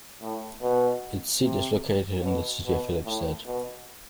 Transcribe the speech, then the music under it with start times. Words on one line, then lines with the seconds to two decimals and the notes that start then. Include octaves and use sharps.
Its seat is located in the city of Filipstad.
0.22 A2
0.62 B2
1.44 C3
2.24 B2
2.65 B2
3.05 A2
3.46 B2